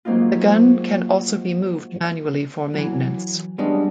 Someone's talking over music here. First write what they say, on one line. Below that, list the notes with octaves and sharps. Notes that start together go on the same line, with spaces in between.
The gun can also be moved manually for maintenance.
F#3 G#3 A#3 C4 D#4 F4
E3 F#3
G3 G#3 B3 C#4 D4 D#5